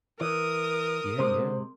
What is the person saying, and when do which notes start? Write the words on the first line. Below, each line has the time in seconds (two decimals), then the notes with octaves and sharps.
Yeah, yeah.
0.21 E3 A#4 D#6
1.19 C3 G#3 C5